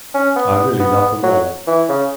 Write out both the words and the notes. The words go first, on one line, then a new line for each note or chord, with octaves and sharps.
I really love them all.
C#4
B3
B3
F#3
E3
C#3